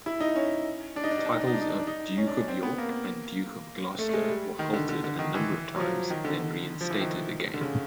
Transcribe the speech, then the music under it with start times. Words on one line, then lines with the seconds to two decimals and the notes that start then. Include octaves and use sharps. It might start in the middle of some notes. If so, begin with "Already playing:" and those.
Titles of Duke of York and Duke of Gloucester were halted a number of times, then reinstated again.
0.06 E4
0.20 D#4
0.36 C#4
0.96 D4
1.04 D#4
1.11 D4
1.18 D#4
1.26 D4
1.32 D#4
1.39 D4
1.47 D#4
1.54 D4
1.61 D#4
1.69 D4
1.79 D4
1.87 D#4
2.17 C#4
2.27 D4
2.37 C#4
2.48 C4
2.63 B3
2.78 A#3
3.99 A3
4.09 A3
4.13 G#3
4.29 G3
4.59 D#3
4.73 D3
4.89 D3
5.04 D3
5.19 D#3
5.35 E3
5.76 F#3
5.80 F3
6.10 D#3
6.25 D3
6.81 F3
6.90 E3
7.01 D#3
7.54 D3
7.61 C#3